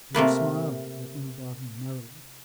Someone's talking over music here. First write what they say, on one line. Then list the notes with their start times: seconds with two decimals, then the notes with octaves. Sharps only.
Pierre smiled, looking about him merrily.
0.15 C3 A3 A#3 B4